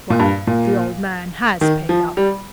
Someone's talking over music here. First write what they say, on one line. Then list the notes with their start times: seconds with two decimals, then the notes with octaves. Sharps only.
Well, the old man has paid up.
0.10 A#2
0.19 G2
0.47 A#2
1.61 D#3
1.89 F3
2.17 G3